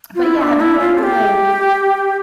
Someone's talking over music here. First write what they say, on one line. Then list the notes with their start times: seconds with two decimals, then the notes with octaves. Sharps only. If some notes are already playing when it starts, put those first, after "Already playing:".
but, yeah, have you ever, like,
0.15 F4
0.23 E4
0.41 D4
0.61 E4
0.80 F4
0.98 A4
1.03 G4